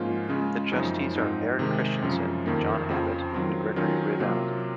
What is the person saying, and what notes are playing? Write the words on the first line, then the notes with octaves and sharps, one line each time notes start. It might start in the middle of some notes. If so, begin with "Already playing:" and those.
The Trustees are Eric Christensen, John Abbott and Gregory Rinaldi.
Already playing: G#2 F3 A#3 C#4 F4
C#3 G#3 C#4 F4
F#2 C#3 F3 C4 D#4
G#2 F3 C4 D#4
C3 D#3 G#3
F#2 C#3 F3
F2 D#3 A#3
F2 C#3 F3 C4
D#3 F#3 C4 F4
D#3 F#3 C#4 F4
C3 F#3 A#3 F4